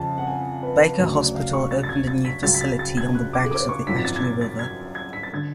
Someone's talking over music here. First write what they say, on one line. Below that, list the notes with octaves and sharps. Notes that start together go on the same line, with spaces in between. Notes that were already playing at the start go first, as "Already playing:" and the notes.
Baker Hospital opened a new facility on the banks of the Ashley River.
Already playing: F2 C#3 F3 A5
F#5
G#5
B4
D2 C#3 F#3
D5
F5
C#6
A6
A6
G#6
A6
B6
C#2 C#3 F#3 A6
B6
A6
A6
G#6
F#6
D6
D6
C#6
G#1 F#2 F3 B6
A6
G#6
A6
A6
G#6
G#6
B6
A6
D3 G#6